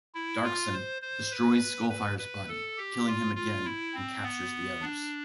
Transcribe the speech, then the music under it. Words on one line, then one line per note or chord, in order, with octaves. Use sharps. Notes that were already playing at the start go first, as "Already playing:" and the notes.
Darkson destroys Skullfire's body, killing him again and captures the others.
E4
F4
C5
C5
B4
B4
B4
A4
G4
F4
F4
E4
C4
B3
D4